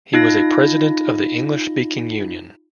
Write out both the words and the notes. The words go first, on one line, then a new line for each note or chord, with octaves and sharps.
He was a president of the English-Speaking Union.
D#4 F4 A#6